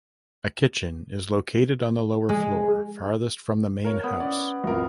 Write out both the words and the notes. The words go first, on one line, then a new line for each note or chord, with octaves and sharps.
A kitchen is located on the lower floor farthest from the main house.
G#3
A#4 C#5
B3
C#4 D5
B1 F2 E3 A#4